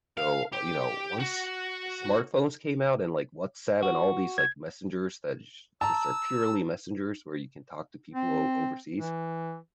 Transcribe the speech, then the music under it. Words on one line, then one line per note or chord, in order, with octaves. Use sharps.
So, you know, once smartphones came out and, like, WhatsApp and all these, like, messengers that j just are purely messengers where you can talk to people o overseas,
F5
G4
F#4
F#4
G#6
A5 A#5 E6
C4
E3